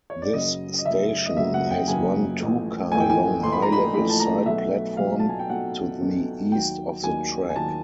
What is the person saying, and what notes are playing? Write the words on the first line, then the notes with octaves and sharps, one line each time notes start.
This station has one two-car-long high-level side platform to the east of the track.
C#5
D5
F#2 C#3 F#3 A#3 D#5
D#5
F#2 C#3 F#3 A#3 E5
D#5
F#2 C#3 F#3 A#3 E5
F#5
G5
F#2 C#3 F#3 A#3 G#5
A1 A2 F3 A3
A1 A2 F3 A3 G#5
G5
G#5
A1 A2 F3 A3 C6
B5
A#5
B5
A1 A2 F3 A3 B5
A5
A#5
B1 B2 F#3 A3 E5
B1 B2 F#3 A3 F5
A5
G#5
G5
B1 B2 F#3 A3 F#5
B1 B2 F#3 A3
D#2 D#3 F#3 G5
D#2 D#3 F#3 G#5
G#5
D#2 D#3 F#3 A5